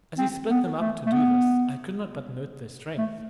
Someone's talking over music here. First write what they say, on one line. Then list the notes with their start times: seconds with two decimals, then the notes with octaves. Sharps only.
As he split them up to do this, I could not but note their strength.
0.18 C4
0.50 B3
0.80 A3
1.06 A3
1.12 B3
2.98 A3